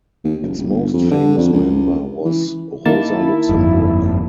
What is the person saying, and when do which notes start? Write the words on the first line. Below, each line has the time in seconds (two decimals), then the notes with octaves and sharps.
Its most famous member was Rosa Luxemburg.
0.24 D#2
0.42 F#1
0.58 D#1
0.70 G1
0.93 F2
1.11 D3
1.38 F2
1.53 C#2
2.25 E3
2.85 D#3 A#3 E4 A5
3.49 G1 F2 G#2